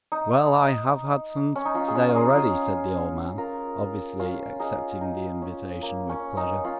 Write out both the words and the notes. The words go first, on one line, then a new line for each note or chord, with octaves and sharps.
"Well, I have had some today already," said the old man, obviously accepting the invitation with pleasure.
D#4
C#4
D#4
C#4 F4
G#4
C#4 F4
F4
D#4 G#4
C#4 F4
F4 A#4
C#4 F4
D#4 G#4
D#4
C#4
A#3
C#4
D#4
C#4 F4